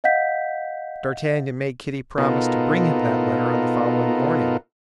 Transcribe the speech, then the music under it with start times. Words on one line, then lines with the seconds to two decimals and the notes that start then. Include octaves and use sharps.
D'Artagnan made Kitty promise to bring him that letter on the following morning.
0.04 D#5 F5 F#5 G6 B6
2.18 B2 B3 D#4 F4 A4 A#4